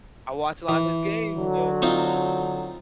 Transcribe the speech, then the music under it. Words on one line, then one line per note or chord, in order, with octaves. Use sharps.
I watched a lot of his games though.
E3
D3 F#3
C4 D#4 F4